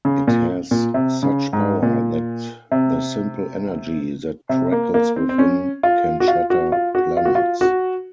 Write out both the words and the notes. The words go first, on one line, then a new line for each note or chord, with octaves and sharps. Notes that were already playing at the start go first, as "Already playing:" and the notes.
It has such power that the simple energy that crackles within can shatter planets.
C#3
A#2
A#2
C3
C#3
G#2
A#2
C3
C3
A#3
A#3
C4
C4
C#4
F4
F#4
F4
F#4
F4
F#4
F4
F#4
F4
F#4